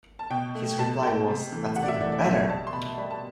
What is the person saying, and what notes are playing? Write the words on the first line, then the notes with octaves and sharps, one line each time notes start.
His reply was, That's even better!
A5
B2 G5
A3
B2 A5
A3 G5
C3
E3 A3
C3 F#5
D5
E5
E3 A3 D5
D5
B2 E5
G3 A5
C6
B2 B5
G3 B5
A5